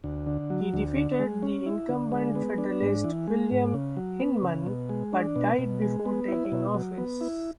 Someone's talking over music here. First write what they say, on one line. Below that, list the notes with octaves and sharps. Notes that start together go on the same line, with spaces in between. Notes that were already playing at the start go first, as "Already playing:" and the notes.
He defeated the incumbent Federalist, William Hindman but died before taking office.
D2
D3
F#3
D2
D3
G#3
C#4
E4
D3
G#3
B3
D4
G#2
E3
G#3
G#2
C#3
F#3
B3
C#3
B2
G#3
D4
B2
B2
G#3
B3
E4
B2
F#3
B3
E4